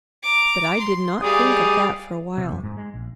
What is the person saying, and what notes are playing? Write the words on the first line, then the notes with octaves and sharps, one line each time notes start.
But I did not think of that for a while.
A#5 D6
C6
G3 G#4 D5 F5 D#6
C3
F#2
G#2
G#3
A#1